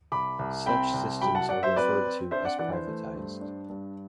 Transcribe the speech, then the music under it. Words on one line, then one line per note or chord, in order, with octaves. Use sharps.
Such systems are referred to as 'privatized.
C2 B5 D6
C2
C4 G5 B5
C2
F#3 G5 B5
F#5 A5
F#3 D5 F#5
C5 E5
C4 B4 D5
C4
D4 C5 E5
D5 F#5
E3 D5 F#5
C5
A3
G2
D4
G2